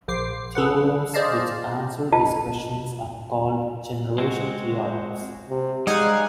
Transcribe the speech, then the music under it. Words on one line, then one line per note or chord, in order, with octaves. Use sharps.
Theorems which answer this question are called generation theorems.
A#1 C5 D6 C7
G#4 A4 B4 F#5
G#4 C5 D5 D#5 F5 A5
F4 D#5 A5
G#3 C4 F#4
C3
G3 G#3 D#4 F5 F#5 G#5